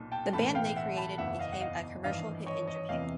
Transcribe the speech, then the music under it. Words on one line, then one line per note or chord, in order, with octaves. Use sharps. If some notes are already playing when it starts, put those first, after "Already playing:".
The band they created became a commercial hit in Japan.
Already playing: B1 A#2
G5 A5
B1 A2 E3 A5 B5
F5 G5
E5 F#5
A5 B5
F#1 E2 B2 E5 F#5
D#5 F5
F#5
D#5 F5
G#1 G2 E3 D#5 F5
C#5 D#5
C#5 D#5
E1 E2 C3 E3 D#5 F5